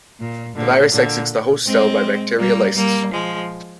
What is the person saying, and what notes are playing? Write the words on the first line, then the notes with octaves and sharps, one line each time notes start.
The virus exits the host cell by bacteria lysis.
A#2
A#2 D3
A#2 D3
G#3 C4
G3 A#3
G3 A#3
F3 G#3